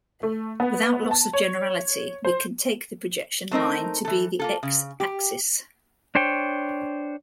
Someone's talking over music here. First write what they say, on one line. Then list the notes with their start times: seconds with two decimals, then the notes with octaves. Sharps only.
Without loss of generality, we can take the projection line to be the "x"-axis.
0.23 A3
0.60 B3
1.11 A5
1.33 C#5
2.25 C5
3.51 A3 C4 D#4 A#4
4.05 E3 A4
4.39 A#3 F4 A4
4.63 C#3
5.00 G4
6.15 D4 C5 C#5 G5